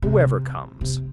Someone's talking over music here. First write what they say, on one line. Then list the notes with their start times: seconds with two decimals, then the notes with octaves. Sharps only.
Whoever comes.
0.02 C3
0.81 C3